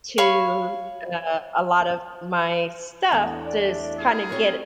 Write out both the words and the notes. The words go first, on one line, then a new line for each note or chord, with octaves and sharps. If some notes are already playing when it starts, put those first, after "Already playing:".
to a a lot of my stuff to s kind of get it
C#5 F5 B5 C#6
E2 A2 A3 B3 D4
D5
F4 G#4
C4 F#4 B4 C#5